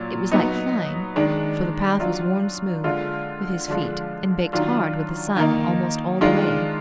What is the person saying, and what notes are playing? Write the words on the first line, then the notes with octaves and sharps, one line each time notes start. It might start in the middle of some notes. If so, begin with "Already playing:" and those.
It was like flying, for the path was worn smooth with his feet and baked hard with the sun almost all the way.
Already playing: A#2 F#3
F#3 B3 D#4
D#3 G#3 D4
F#3 D4 F4
D3 G#3 D4 F4
D3 F3 G#3 D4 F4
D#3 F#3 D4 F4
D#3 A#3 D#4
D#3 G#3 D4 F4